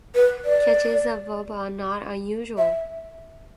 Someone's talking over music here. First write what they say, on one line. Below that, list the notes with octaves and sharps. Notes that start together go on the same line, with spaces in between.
Catches above are not unusual.
B4
D5
E5